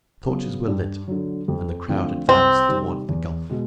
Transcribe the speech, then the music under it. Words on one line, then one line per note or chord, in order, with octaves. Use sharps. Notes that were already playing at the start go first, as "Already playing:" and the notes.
The torches were lit, and the crowd advanced toward the gulf.
C#3 F#3 B3
G2
D3 F#3
F2
D3 F3 A3 C4
C2 C4
C3 D#3 G3
E2
B2 G#3